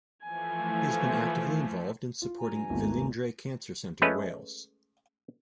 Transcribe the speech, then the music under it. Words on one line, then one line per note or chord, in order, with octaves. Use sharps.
He has been actively involved in supporting Velindre Cancer Centre Wales.
E3 F3 A3 G#5
F4
G2 G#5 A#5
G#1 D#2 A3 B3 C4 F4
G#3 A3 C#4 B4